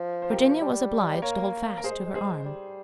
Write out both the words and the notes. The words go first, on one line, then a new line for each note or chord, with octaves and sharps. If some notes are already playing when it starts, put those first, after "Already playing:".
Virginia was obliged to hold fast to her arm.
Already playing: F3
C5
G4 A#4
G3
A#3 A#4 C#5
A#4
A#3 G#4 C5
G#3
G3
G#3
G#4 C5
G3